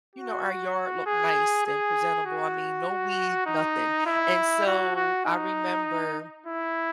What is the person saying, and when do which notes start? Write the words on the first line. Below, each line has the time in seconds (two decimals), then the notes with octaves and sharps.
you know, our yard looked nice and presentable. I mean, no weeds, nothing, and so, I remember,
0.15 F#4
1.06 G#4
1.66 G#4
2.26 F#4
3.46 D#4
4.06 E4
4.66 F#4
4.96 F#4
5.26 D#4
6.46 E4